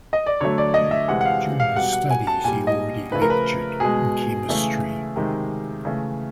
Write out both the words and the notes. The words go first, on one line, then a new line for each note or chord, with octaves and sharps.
During his studies he already lectured chemistry.
D#5
D5
D3 F#3 A3 C#5
D5
D#5
E5
C3 E3 G#3 F#5
F#5
F5
F5
B2 G3 F#5
F#5
G#5
A5
A#2 G3 G#5
D#5
C#3 F3 A3 B4
A#4
B4
B2 G#3 G#4
C#3 E3 A3
C3 D#3 G#3
C#3 E3 A3